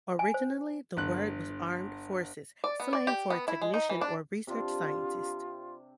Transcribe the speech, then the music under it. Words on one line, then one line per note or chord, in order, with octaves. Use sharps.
Originally, the word was armed-forces slang for a technician or research scientist.
G#5
C5
G1 F#6
D5
B3
D5
G4
B3
E4
G#3
D#4
E3
D4
C3 D4 F4